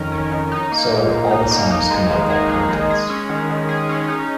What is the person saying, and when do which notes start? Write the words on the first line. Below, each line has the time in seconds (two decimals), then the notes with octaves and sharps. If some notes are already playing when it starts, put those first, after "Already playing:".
So, all the songs come out of that context.
Already playing: F2 D#3 C#4 A#4
0.12 C#4
0.31 D#3
0.52 D#4
0.72 A#3
0.91 A#2
1.11 A#2
1.31 D#4
1.51 A#3
1.70 D#4
1.91 G#3
2.10 D#3
2.30 G#4
2.49 D#4
2.70 G#3
2.90 G#4
3.10 C#4
3.29 D#3
3.50 D#3
3.69 G#4
3.89 C#4
4.08 D#4